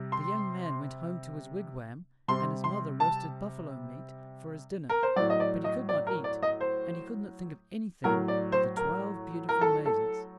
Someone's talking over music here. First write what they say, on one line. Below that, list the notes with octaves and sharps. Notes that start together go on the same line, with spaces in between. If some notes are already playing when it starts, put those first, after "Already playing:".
The young man went home to his wigwam, and his mother roasted buffalo meat for his dinner; but he could not eat, and he could not think of anything but the twelve beautiful maidens.
Already playing: C3 G3
C6
C3 G3 C6
C6
A5
A#4
C5
A2 F#3 D5
D#5
D5
D#5
D5
A#4
D5
D#5
C5
A2 F#3 A#4
D5
C5
A#4
A#4
A4
A4